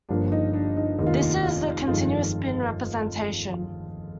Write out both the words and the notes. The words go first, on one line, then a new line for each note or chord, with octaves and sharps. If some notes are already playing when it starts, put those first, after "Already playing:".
This is the "continuous spin" representation.
G1 G2 F3 A#3 D4
D#4
D4
D#4
F1 D#2 D#3 A#3 D#4
F4
D#4
F4
G1 F2 D#3 G#3 F4